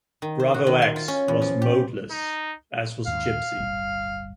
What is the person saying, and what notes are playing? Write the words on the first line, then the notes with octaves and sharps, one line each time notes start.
BravoX was "modeless", as was Gypsy.
D#3
C5
F#4
D#3
C6
F4
C#4
E2
F3
G4
D#4
D#2 G#2 F5
D1 G1 G3